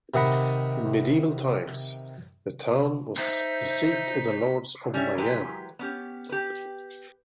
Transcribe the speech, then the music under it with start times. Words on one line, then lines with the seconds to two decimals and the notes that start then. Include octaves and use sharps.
In medieval times, the town was the seat of the Lords of Mayenne.
0.14 C3 D#3 D#5 F#5 B5
3.18 D#4 C5 E5 B6
4.94 G3 C#4 D4 E4 C#5 E5
5.18 E3 F#3 G#3 G4 A#4 B4
5.79 B3 C#4 G4
6.29 G4 B4